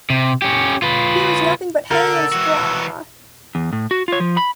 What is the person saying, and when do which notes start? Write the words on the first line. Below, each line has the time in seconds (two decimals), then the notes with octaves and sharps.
Here is nothing but hay and straw.
0.10 C3
0.42 C#4 G4
0.82 F4 B4
1.91 D3 A#4 E6
2.32 E3 F#4
3.55 E2
3.73 A2
3.91 F#4
4.08 F4 C#5
4.20 F3
4.37 B5